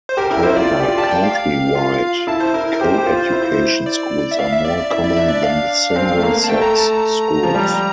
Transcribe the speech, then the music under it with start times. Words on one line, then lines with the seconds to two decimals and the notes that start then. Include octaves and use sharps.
However country-wide, co-education schools are more common than single-sex schools.
0.09 C5
0.17 G4 A#4
0.30 E4 A#4
0.43 E4 C5
0.56 F4 D5
0.80 G4
0.89 F4
0.97 G4 A5
1.11 G5
1.23 F5
1.75 F4
2.27 E4 A5
2.40 C5
2.54 E4 A#4
2.67 A#4
2.80 G4 C5
2.97 G4
3.06 F4
3.32 E4
3.86 D5
4.31 E5
4.39 F5
4.52 E5
4.65 D5
4.78 D5
4.90 E4 E5
5.04 D5
5.17 D4 E5
5.29 D5
5.43 F5
5.91 D4
5.96 C4
6.17 A3
6.23 A#3
6.44 A5
6.48 A3 G5
6.62 A#5
6.76 A5
6.88 A#5
7.43 F3
7.54 G3